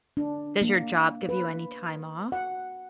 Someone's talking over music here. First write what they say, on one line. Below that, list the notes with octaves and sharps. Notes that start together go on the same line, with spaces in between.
does your job give you any time off?
D4
A#3
B4
F#5